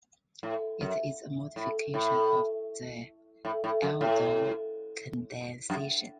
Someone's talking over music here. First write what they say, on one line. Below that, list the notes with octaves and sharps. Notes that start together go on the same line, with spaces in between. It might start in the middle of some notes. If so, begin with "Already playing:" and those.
It is a modification of the aldol condensation.
A2
F#2
A2
A2
A2
A2
F#2
A2
F#2